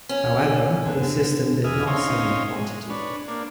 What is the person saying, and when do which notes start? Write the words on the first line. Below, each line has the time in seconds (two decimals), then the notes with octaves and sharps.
However, the system did not sell in quantity.
0.09 C#4
0.85 D3 B3
1.64 E2 G#4 D#5 E5 F6
1.87 C4 C#4 D#4 C#5 F5 C6
2.53 G#3
2.90 D4 B4 C#5
3.28 A#3 D4